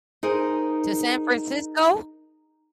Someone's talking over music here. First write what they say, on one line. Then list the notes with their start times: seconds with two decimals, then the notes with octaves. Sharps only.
To San Francisco?
0.23 D#4 G#4 A#4 C5